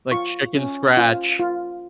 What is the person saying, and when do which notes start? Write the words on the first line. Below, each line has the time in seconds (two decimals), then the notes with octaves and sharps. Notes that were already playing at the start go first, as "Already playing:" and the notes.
like, chicken scratch,
0.12 F4 C#6
0.54 C#4
0.97 F4
1.39 F4